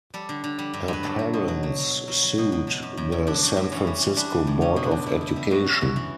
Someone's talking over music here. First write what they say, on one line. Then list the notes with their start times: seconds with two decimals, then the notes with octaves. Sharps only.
Her parents sued the San Francisco Board of Education.
0.14 G3 A4
0.29 D3
0.44 D3
0.59 G3
0.73 G2
0.88 G2 B4
1.03 F#3 A4
1.19 F#3
1.33 B2
1.48 F#3
1.63 F#3
1.78 F#3
1.93 F#3
2.08 F#3
2.23 F#3
2.38 B2
2.52 B2
2.67 B2
2.82 F#2
2.97 F#2
3.12 F#2
3.27 F#2 D4
3.43 F#3
3.57 F#2
3.72 E3 C#4
3.87 G3
4.02 E3
4.16 G3 D4
4.32 E3
4.47 F#2
4.61 E2 C#4
4.76 B2
4.84 D4
4.91 E2
5.06 B2 E4
5.21 B2
5.28 E4
5.36 G3
5.51 F#2 F#4
5.67 E3
5.73 F#4
5.81 F#2
5.96 E3